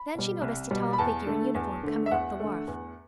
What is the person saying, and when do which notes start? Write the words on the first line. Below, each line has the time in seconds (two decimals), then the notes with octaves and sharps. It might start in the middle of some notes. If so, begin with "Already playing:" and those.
Then she noticed a tall figure in uniform coming up the wharf.
Already playing: B5
0.15 B2 G3
0.42 C2
0.71 B2 G3
0.93 B5
0.98 E2 A5
1.26 D3 A3
1.55 E2
1.83 D3 A3
2.06 E5
2.11 E2 F#5
2.40 D3 A3
2.67 E2